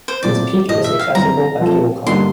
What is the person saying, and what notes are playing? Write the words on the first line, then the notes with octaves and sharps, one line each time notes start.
Its peak is accessible by cablecar.
C5
A#2 F#3 A3 C4 E4 D5
A2 E3 A3 D#5
E5
F5
F#2 D3 G3 C4 E4 A#5
F3 A3 C4 F4 A4
G2 D3 G3 A#3 D#4 C6